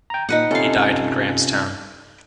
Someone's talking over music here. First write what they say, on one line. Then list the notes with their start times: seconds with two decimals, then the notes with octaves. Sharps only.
He died in Grahamstown.
0.10 G5 A#5
0.29 A#2 D#4 B4 F#5
0.51 C3 C#4 F4 A4 F5